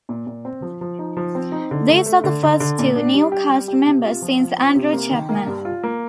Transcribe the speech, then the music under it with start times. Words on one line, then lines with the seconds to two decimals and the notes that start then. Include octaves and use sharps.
These are the first two new cast members since Andrew Chapman.
0.09 A#2
0.27 A#2
0.45 C4
0.62 F3
0.81 F3
0.99 D#4
1.17 F3
1.35 C4
1.52 D#4
1.71 D3
1.89 A3
2.06 A3
2.24 D3
2.43 D3
2.60 D3
2.79 A#2
2.96 D4
3.14 G3
3.32 G4
3.49 G3
3.68 G4
3.86 C3
4.04 F4
4.22 F3
4.40 F4
4.58 C4
4.75 C3
4.93 A#3
5.11 D#3
5.29 A#3
5.47 G2
5.65 F4
5.84 A#3